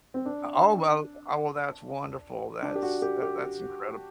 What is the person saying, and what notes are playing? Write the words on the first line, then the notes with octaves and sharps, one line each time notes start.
Uh, oh, well oh, well that's wonderful. That's that that's incredible.
C4
D4
D4
G4
F#4
G4
G4